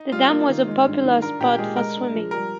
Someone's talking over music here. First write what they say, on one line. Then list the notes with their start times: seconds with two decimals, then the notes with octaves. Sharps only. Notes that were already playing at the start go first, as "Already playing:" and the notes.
The dam was a popular spot for swimming.
Already playing: D#4
0.11 G3 F4
0.30 A#3
0.49 D#3
0.67 G#3
0.85 G2
1.04 D#3
1.22 D4 A#4
1.40 A#2 G4
1.58 G#3 G#4
1.76 G#3 A#4
1.95 D4
2.14 F3
2.31 G3 A#4